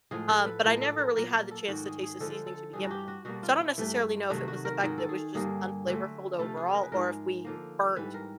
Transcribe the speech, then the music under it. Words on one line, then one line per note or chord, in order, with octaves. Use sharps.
um, but I never really had the chance to taste the seasoning to begin with. So, I don't necessarily know if it was the fact that it was just unflavorful overall or if we burnt
A2 F3 G#3 G#4
A4
B4
A2 F3 G#3 A#4
A4
A#4
A#2 F#3 A#3 A#4
A#4
A4
G#2 D#3 F#3 F#4
G#4
G#4
D3 F3 G#3 A4
A4
G2 E3 G3 G#4
F#4
G4
F#4
B2 G3 A#3 F#4
F4
E4
G2 E3 A3
C3 D#3 F#3 A3 F#4
F#4
A#4
G#2 D#3 F#3 A#4
A4
G#4
G2 D3 G3 A#3 G#4
D3 F#3 A3
C3 F3 A3 A4
G#4
A#4
B4
G#2 F3 G#3 A#4
D3 F3 A#3
G#2 E3 G3 B4
A#4